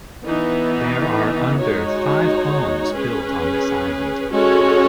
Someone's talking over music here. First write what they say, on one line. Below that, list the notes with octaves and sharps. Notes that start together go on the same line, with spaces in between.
There are under five homes built on this island.
E3 B3 D#4
G#3 D#4 F#4 C#5
C#4 G#4 B4
G#3 C#4 F#4 A4 C#5